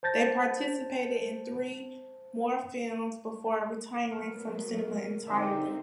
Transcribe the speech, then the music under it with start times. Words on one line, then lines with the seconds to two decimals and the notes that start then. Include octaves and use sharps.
They participated in three more films before retiring from cinema entirely.
0.03 C5 A5 G6 A6 A#6
4.11 F#3 B3 A#4
5.27 D3 C4 D#4 G4 D5 E5